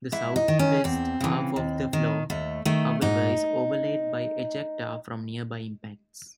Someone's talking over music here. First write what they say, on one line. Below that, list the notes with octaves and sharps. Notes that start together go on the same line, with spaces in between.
The southwest half of the floor, however, is overlaid by ejecta from nearby impacts.
G#2 E4
D#4
D#3
C#4
E2 C4
C#3 E3
D#2
D#3
D#2 A3
D#3 A3
G#2 D#4